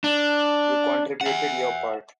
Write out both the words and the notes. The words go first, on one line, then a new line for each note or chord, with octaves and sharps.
You contributed your part.
D4
E5 F#5